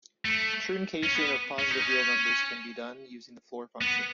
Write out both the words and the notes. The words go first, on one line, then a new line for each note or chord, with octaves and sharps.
Truncation of positive real numbers can be done using the floor function.
A3
C#4
B3
C#4
D#4
C#4
B3